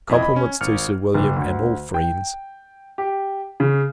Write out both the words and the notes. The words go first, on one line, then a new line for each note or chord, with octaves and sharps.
Compliments to Sir William, and all friends.
F2 E4 D#5 G#6
D#5 B5
C#4
G#1 F6 C#7
F#1
D2
G5
G4
C#3